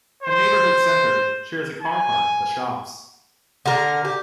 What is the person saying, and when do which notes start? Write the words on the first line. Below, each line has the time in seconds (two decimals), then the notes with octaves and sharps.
A Neighbourhood Centre shares a car park with the shops.
0.23 C5
1.82 G#5
3.66 D3 A#4
4.05 G4